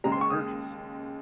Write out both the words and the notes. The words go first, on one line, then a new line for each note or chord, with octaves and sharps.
for purchase,
D#2 C#3 G#3 A#5
C6
C#6
D#6